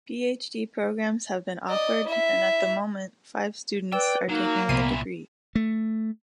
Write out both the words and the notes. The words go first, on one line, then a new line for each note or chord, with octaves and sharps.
Ph.D.-programmes have been offered and at the moment five students are taking the degree.
D5 D#5
E4 E5
B4 D5 G5 E6
F#3 A#3 D#4
C2 A#2 B3 E4 C7 D#7
A3